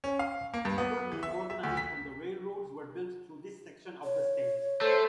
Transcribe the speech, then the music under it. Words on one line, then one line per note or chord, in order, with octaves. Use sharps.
Hubbard was organized when the railroads were built through this section of the state.
C#4
F5
A#3
G2
B3
E3
E5
E5
D2
B6
C#5
A3 A4 C5